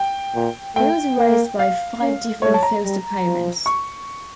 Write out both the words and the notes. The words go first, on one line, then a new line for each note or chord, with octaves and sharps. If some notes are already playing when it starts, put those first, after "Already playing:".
He was raised by five different foster parents.
Already playing: G5
A#2
A3 G5
A#3
F5
C#4
A3 C#5
A5
A#5
G3
F3
C#6